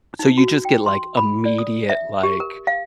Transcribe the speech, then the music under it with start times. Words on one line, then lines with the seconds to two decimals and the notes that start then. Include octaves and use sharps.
so you just get, like, immediate, like
0.19 D#4
0.38 F#4
0.65 G5
0.86 C6
1.17 B5
1.45 D5
1.58 D#6
1.90 E5
2.23 G4
2.40 A#4
2.67 F5